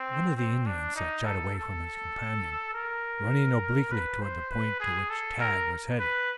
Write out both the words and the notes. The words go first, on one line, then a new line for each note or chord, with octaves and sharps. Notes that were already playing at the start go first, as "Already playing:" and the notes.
One of the Indians had shot away from his companion, running obliquely toward the point to which Tad was headed.
Already playing: C4
C4
D4
D#4
A4
A4
A#4
B4
C5
B4
G#4
A4
A#4
B4